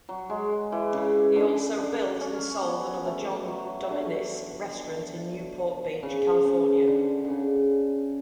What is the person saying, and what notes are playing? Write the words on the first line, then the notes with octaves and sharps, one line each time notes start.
He also built and sold another John Dominis Restaurant in Newport Beach, California.
F#3
G#3
E3
C#3
D3
D3
C#4
B3
A3
F#3
D3
C#3
C#3
D3
D3
C#3